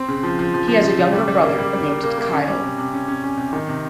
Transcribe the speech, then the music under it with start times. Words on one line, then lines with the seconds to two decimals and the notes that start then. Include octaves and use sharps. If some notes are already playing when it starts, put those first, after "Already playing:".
He has a younger brother named Kyle.
Already playing: C4
0.08 C#3
0.23 F3
0.39 F3
0.54 F3
0.68 F3
0.83 C#3
0.99 C#3
1.13 G3
1.28 G3
1.43 A#3
1.59 G3
1.73 G3
1.88 A#3
2.04 A#3
2.18 A#3
2.33 C#4
2.48 G3
2.64 C3
2.78 C3
2.94 C#4
3.08 C#4
3.24 C#4
3.37 C3
3.53 D#3
3.68 C3